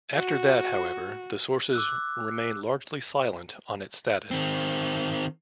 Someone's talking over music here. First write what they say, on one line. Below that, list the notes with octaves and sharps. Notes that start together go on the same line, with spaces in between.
After that, however, the sources remain largely silent on its status.
F#4
D6 E6 F#6
D#3 C4